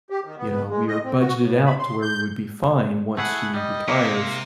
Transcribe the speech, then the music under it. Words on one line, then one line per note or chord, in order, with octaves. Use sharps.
you know, we are budgeted out to where we would be fine once she retires
G4
D#3
B3
G#3
D#5
C4
F#4
A2
B5
C6
G6
A3 E4 G#4 F#5
G3 D#5
C3 A#3